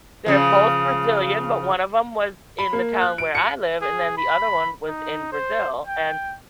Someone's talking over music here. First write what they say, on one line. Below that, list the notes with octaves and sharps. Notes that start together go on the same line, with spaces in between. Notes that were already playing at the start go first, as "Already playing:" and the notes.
they're both Brazilian, but one of them was in the town where I live, and then the other one was in Brazil, and
C#3 F3
B5
A#3
F#6
D7
C#7
G#4
B5
D#4
C5
G5